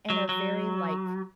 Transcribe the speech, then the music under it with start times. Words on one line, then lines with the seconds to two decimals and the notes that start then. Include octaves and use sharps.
in a very, like,
0.10 F#3
0.29 F#3